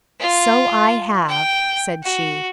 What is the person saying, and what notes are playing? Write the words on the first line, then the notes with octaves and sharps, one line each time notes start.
"So I have," said she.
F4
G5
F#4